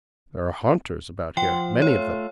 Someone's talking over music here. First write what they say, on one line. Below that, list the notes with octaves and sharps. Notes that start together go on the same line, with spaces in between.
There are haunters about here,--many of them.
F3 F#5 G5 C6
A3 F4 C#5